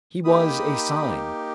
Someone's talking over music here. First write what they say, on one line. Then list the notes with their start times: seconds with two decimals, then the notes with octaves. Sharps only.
He was a Sign.
0.25 A#3 D#4 G4 B5 D#6